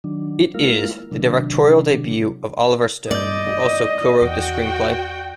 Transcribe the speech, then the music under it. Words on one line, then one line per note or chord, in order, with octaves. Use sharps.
It is the directorial debut of Oliver Stone, who also co-wrote the screenplay.
D#3 F#3 D4
G#3 A#3 E4 F4 A#4 F5
C3 D#3 F#3 D4
G2 D5 D#5 G6
E2 F#4 G5